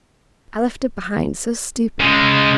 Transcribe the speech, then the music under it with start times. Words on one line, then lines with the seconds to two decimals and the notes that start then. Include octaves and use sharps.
I left it behind; so stupid!'
2.00 C#3 G#3